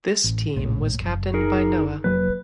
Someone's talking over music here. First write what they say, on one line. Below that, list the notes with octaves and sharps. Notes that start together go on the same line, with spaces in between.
This team was captained by Noah.
A1
E1 A#1 A2
F#1
D#4 G#4 A#4
F1 F#3 A#3 B4